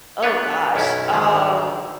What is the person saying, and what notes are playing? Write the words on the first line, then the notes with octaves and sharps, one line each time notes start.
Oh gosh. Um.
A3 B3 D4 B4 C#5
B1 F#2 C#4 E4
G#1 D2 D3 D#3